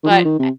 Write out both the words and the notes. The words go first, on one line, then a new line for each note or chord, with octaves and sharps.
but I
D#3
F3
D#3
C3